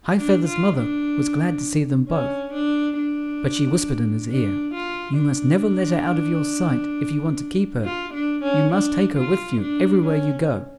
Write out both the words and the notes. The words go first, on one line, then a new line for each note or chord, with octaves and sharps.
High-feather's mother was glad to see them both; but she whispered in his ear: "You must never let her out of your sight if you want to keep her; you must take her with you everywhere you go."
D4
F4
D4
C#4
D4
D4
D4
F4
D4
F4
D4
C#4
D4
F4
D4
C#4